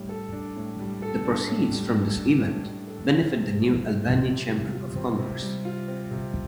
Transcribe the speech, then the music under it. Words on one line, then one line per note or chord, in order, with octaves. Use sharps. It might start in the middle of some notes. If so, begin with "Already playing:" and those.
The proceeds from this event benefit the New Albany Chamber of Commerce.
Already playing: A2 G3 D4
A4
D4
A2
G3
A4
D4
A2
G3
A4
D4
A2
G3
A4
C4
C3
G3
F4
C4
C3
G3
F4
C4
C3
G3
F4
C4
C3